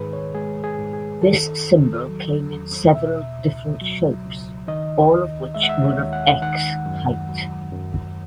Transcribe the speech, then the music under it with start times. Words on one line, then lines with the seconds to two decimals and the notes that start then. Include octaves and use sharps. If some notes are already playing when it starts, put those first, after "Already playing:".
This symbol came in several different shapes, all of which were of x-height.
Already playing: G#2 D#3 G#4 B4
0.13 C#5
0.35 G#3 G#4
0.64 G#4
0.79 G#2
0.93 G#4
1.22 D#3 A4
1.66 E2
2.09 F#3
2.51 E2
2.95 B2 E5
3.39 C#2
3.81 F#3
4.25 C#2
4.68 D#3 D#5
5.11 D#2
5.55 G#3 E5
5.63 F#5
5.69 E5
5.84 C#5
5.99 D#2
6.13 F#5
6.42 D#3 F#5
6.86 F#2
7.29 F#3
7.72 F#2